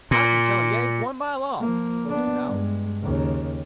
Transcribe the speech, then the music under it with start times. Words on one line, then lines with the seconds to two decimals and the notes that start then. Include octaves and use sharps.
"I can tell a Yank one mile off," boasted Alf.
0.11 A#2
1.61 F3 A#3
2.09 B3 D4
2.46 G2 G#3
3.02 D#2 C#3